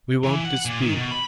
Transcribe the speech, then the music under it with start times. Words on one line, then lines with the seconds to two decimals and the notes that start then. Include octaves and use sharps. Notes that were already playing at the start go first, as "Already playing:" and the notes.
We won't dispute.
0.24 E3
0.45 F#5
0.65 A#2
0.82 D#3
0.96 B2
1.11 B5